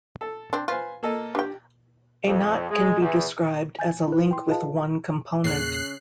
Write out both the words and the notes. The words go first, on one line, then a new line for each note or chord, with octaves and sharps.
A knot can be described as a link with one component.
A4
C4 D4
F4 B4 C5 G#5
A#3 A4 D#5
D4 G4 G5
F2
G#3
E2
G#5 G6 A6
E4 B4
G5 C6
F4 G#4 B4 D#5 F5 A5
E2 A#2 C#3 A#3 F#6 C7